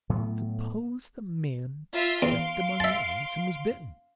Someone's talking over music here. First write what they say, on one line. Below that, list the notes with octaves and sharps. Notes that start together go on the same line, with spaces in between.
Suppose the man stepped among the ants and was bitten.
A2 F#3 A3 B3
F4 E5
E2 F5 C6 D7
E5 A5